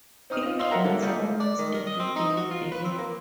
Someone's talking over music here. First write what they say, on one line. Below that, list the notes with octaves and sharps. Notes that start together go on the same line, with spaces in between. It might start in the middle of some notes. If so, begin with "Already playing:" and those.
It rains almost every day of the year.
C4 D#4 D#6 F6
F4 D#5
D#5 F5 C6 E6
A4 A#4 E5 F#5 A#5
D3 A#3 A4
G3 A3 A#3 F4 D#5 F5
D5
D#3
A#4
D#5
C4
D#4
F#4
F4
B4
C4
A#3